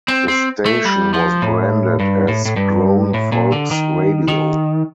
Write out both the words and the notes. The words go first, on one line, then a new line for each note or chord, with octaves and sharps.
The station was branded as Grown Folks Radio.
C4
C4
A3
G3
F3
A2
G2
A2
A2
G2
A2
A#2
D3
D#3
D#3